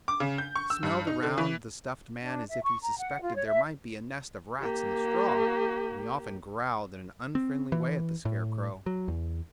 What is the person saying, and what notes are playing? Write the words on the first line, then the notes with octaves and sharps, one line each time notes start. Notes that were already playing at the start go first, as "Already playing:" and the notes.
He smelled around the stuffed man as if he suspected there might be a nest of rats in the straw, and he often growled in an unfriendly way at the Scarecrow.
D6
C#3
G6
C#6
E6
G2
D#4
D3
E3
D4
E5
C#6
A#5
F#5
F4
C#5
E5
A#3 G4
C4
E3
A2
F#3
E2